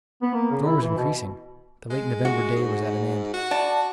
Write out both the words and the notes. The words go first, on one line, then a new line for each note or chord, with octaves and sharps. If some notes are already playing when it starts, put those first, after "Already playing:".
The storm was increasing; the late November day was at an end.
B3
A#3
C#3
E4
E3
B2
G#3
F#4
G#2
F#4
D5 A5